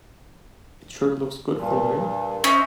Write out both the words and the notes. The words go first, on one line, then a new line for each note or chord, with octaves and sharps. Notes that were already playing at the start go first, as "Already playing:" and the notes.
It sure looks good from here.
G2 A#2
C#4 C5 D#5 E5